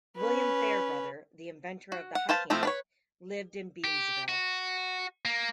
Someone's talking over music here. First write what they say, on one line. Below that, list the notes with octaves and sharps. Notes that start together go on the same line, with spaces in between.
William Fairbrother, the inventor of the hockey net, lived in Beamsville.
C#4 B4
F#4
F#5
B4 C5 F5 A5
F3 A3 C4 E4 F4
D4 B4 C#5
G4
F#4
A#3